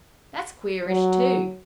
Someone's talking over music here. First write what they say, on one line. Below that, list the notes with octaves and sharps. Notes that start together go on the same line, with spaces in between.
That's queerish, too.
F#3